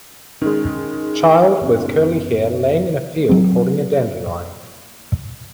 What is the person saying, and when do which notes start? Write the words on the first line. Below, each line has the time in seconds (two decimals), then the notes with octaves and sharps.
Child with curly hair laying in a field holding a dandelion.
0.42 D#3 G#3 C#4
1.61 F#1 B3 C#4
3.29 F#3 C4